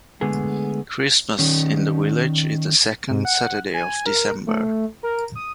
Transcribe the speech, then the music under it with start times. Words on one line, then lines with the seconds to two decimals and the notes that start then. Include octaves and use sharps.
Christmas in the Village is the second Saturday of December.
0.21 D3 G#3 A3 B3 G#4
1.39 D#3 C#4
3.10 G#2
3.25 F#5
3.74 G#5
4.06 A#4
4.47 A3
5.03 A#4
5.35 D#6